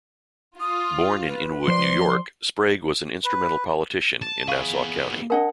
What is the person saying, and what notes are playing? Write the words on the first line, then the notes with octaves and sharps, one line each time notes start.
Born in Inwood, New York, Sprague was an instrumental politician in Nassau County.
F4 D#6
B4
F3 C5 D5 C6
B4
A5
B3 G#4 F5 C#6
D4 A#4 D#5 F#5 A5